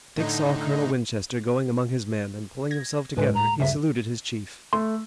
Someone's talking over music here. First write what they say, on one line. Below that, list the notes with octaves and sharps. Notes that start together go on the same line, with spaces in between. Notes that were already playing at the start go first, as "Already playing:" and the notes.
Dick saw Colonel Winchester going among his men, and pulling himself together he saluted his chief.
A2 D3 D#4
G#6 A#6
D2 A2 G#3 B4
A#5
D2 G2 C#3 E5
A3 C6